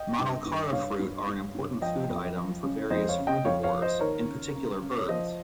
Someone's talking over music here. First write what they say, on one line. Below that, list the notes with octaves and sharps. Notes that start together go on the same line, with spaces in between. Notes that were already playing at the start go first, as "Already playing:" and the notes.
"Manilkara" fruit are an important food item for various frugivores, in particular birds.
Already playing: D#5 G5
G2
G2
G2 C#5 F5
G2
G2
G2
F3 D#5 G5
F2
F3
C#3
F2 C5 D#5
C#5 F5
C#3
D#5 G5
F2 C#5 F5
C#5 F5
F3
C5 D#5
D#2 A#4 C#5
C#3
C#3
C#3
C#5
F3 C5 D#5